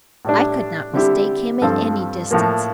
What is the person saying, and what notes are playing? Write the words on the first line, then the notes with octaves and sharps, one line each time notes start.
I could not mistake him at any distance.
A2 G3 D4
D3 G3 C4 E4 G4
G2 F3 C4 F4 A4
A2 F3 A#3